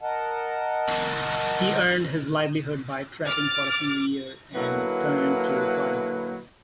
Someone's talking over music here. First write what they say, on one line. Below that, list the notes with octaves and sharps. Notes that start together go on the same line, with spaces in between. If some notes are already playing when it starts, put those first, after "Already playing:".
He earned his livelihood by trapping for a few years, then turned to farming.
A#4 D#5 F#5 A5
D6 F6 A6
D3 F#3 A#3 E4 B4